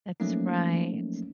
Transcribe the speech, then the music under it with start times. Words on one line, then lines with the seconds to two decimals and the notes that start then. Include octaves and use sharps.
That's right.
0.20 F3 F#3 A3 A#3 C#4 D#4